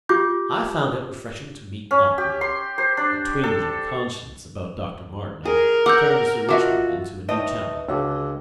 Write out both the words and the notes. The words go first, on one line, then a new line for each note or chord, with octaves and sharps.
"I found it refreshing to meet Martineau." A twinge of conscience about Dr. Martineau turned Sir Richmond into a new channel.
F4 G4 D6 G6
C#4
G4
C6
C5
D4
A4
G#4 A#4
F#5 D6 E6 G6
F4 F#4 A4 D#5 E5 D6
D#2 B4 C#5 D#5 E5 G5 A5 D#6
C#2 D3 F#4 G#4 A5 D6 E6